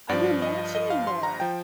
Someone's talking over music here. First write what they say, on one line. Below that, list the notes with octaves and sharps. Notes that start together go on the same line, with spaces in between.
I've been watching him more.
G2 F3 D5
D#5
D#5
F5
C6
A#5
F3 G5